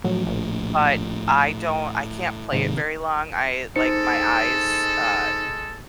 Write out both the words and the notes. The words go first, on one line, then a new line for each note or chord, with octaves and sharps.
but I don't I can't play it very long. I like, my eyes, uh,
A2 F3 F#3
A#1
G#2 C3 D#3
G#3 D#4 A4 C5 C#7